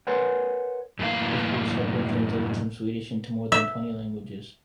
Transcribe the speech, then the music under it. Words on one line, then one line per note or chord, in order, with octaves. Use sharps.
His books have been translated from Swedish into more than twenty languages.
A#4 B4 C#5 F#5 G#5 C6
F#2 A2 E3 A#3 F5
E5